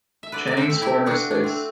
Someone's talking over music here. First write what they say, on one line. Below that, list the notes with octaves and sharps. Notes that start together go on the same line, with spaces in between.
Chang's former space.
E5
D3 B4 D5
D5
C5 E5
A3 C4
E4 G4
D3 D4 F#4
D4
A3 C4